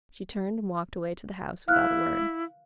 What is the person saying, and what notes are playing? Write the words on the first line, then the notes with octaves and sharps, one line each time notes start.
She turned and walked away to the house without a word.
E4 F5 F6 F#6